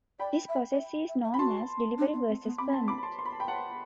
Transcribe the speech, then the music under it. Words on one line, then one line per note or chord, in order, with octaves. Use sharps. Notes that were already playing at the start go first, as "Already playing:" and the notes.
This process is known as delivery versus payment.
D5 G5 B5
E5
D5
E5
E5
E5
B5
F#4 A5 C6
D4
B3
C4
B3
C4 B5 D6
B5
A5 C6
B5 D6
B5
A5 C6
C6
B5
A5
G5 B5
F#5 A5